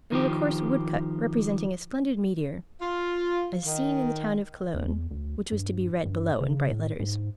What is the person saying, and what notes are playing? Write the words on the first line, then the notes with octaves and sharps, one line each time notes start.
It was a coarse wood-cut, representing a splendid meteor "as seen in the town of Cologne," which was to be read below in bright letters.
D#3 F3 G4
F4
D#3
E2
D2
G2
G2
C#3
A2
G#2